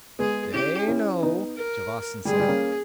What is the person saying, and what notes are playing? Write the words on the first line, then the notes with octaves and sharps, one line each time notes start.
"They know," Javasan said.
G#3 B3 G#4
C#4 E4 G4
C#4 E4
B3 D#4
A#4
G3 G#4
G#3
G3
A#3 C#4